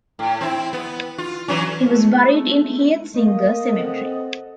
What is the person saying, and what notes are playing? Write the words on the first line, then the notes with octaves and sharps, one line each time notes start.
He was buried in Hietzinger cemetery.
A2
C4 E4
B3
F4
E3 F#3 C#4
G#3 A3 B3 E4
A3 A#3 D#5
C4 A4 F#5